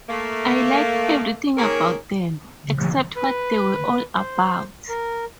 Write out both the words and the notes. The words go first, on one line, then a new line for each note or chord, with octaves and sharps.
I like everything about them, except what they were all about.
A3 A#3
D#3 A#3 C#4 G#4 A#4 C#5
B4
C5
A#4